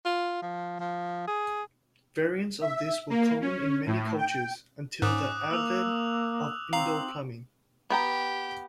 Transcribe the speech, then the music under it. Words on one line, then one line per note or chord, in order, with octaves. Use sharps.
Variants of this were common in many cultures until the advent of indoor plumbing.
F4
F3
F3
G#4
E5
A#3
C#4
A2
G5
G#2 C#4 D6 D#6 F#6
A#3 E6 F7
C4 F5 A#5 F#7
B3 G4 G5 A#5